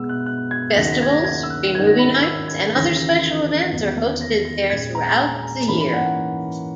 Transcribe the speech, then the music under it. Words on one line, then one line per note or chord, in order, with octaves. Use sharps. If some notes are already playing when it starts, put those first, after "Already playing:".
Festivals, free movie nights and other special events are hosted there throughout the year.
Already playing: B2 G#3 B3 E6
F#6
F#6
G#6
D#2 C#3 F#3 A#6
B6
G#6
A#6
G#6
E6
F#6
G#2 D#3 F#3 C#4 G#6
A#6
B5
E6
G#6
D#2 C#3 E3 A#3 C#4 A#6
A#6
E2 D#3 F#3 B3
A#6
A#6
A#2 G#3 C#4 G#6
A#5
G#5
A#5
G#2 E3 A#3 C#4 B5
B5
F#5
F#5